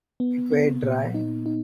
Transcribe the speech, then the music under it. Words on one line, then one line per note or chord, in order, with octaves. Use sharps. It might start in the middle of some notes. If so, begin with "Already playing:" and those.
It weighed dry.
B3
B3
A#2
D#4
D#4